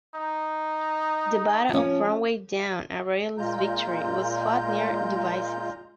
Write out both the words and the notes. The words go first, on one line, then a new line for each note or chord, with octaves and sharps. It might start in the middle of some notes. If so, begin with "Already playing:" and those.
The Battle of Roundway Down, a Royalist victory, was fought near Devizes.
D#4
F3 C#4
A#2 G#3 F4 A#5 G6